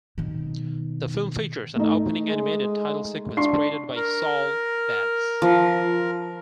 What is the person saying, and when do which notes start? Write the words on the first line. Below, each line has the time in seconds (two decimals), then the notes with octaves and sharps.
The film features an opening animated title sequence created by Saul Bass.
0.18 B2 D#3
1.75 A3 D#4
2.28 G#3
3.37 D4 C6 C#6 C7
3.96 A#4
5.42 F3